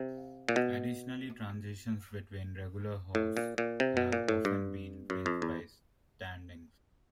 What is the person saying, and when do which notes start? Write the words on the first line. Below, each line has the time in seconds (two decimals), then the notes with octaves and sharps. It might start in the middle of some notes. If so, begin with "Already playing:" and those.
Addotionally, transitions between regular hosts have often been bridged by stand-ins.
Already playing: C3
0.49 A#2
0.56 B2
3.15 A2
3.37 A#2
3.58 A#2
3.80 C3
3.97 B2
4.12 A#2
4.28 A2
4.45 G2
5.10 F#2
5.26 F2
5.42 E2